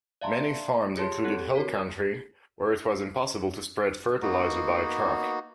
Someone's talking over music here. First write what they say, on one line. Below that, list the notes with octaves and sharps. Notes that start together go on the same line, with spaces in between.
Many farms included hill country, where it was impossible to spread fertiliser by truck.
D5 E5 F5 A5 A#5 C6
F4 G4 G#4 C#5 A5 C6
C4 G4 A4 F#5 F#6
F#4 A#4 C#5 B6
A#3 B3 D#4 F#4